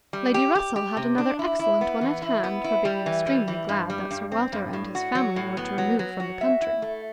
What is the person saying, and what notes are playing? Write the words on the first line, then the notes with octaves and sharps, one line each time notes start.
Lady Russell had another excellent one at hand, for being extremely glad that Sir Walter and his family were to remove from the country.
G3
G4
G4
G4
C3
D4
E4
E4
B3
E3
E4
B3
E4
G3
E3
G3
E3
G2
G3
G2
C4
G2
A2
F#4
F#3
A2
B3
F#3
F#3
F#4
E5
E4
A3